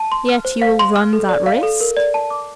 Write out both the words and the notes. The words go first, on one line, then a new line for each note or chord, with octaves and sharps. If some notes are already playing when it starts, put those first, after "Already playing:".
"Yet you will run that risk?"
Already playing: A5
C6
F6
C5
F5
C6
F6
A4
D5
F5
A4
A#4
D5
A5
D6